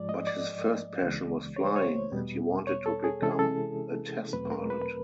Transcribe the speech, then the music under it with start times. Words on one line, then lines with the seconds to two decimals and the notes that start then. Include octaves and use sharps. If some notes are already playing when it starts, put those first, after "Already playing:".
But his first passion was flying, and he wanted to become a test pilot.
Already playing: G#2 F3 G#3 D5
0.09 D#5
0.27 D5
1.01 C#2 C#3 E3 G#3
1.56 C#5
1.66 C5
1.76 C#5
2.12 E2 B2 G3 B3
2.67 C#5
2.86 A4
3.04 G#4
3.22 C3 E3 G#3 C#4 E4 A4
3.31 G#4
3.39 A4
4.33 E2 B2 F#3 A3 C4 B4
4.52 A#4
4.70 B4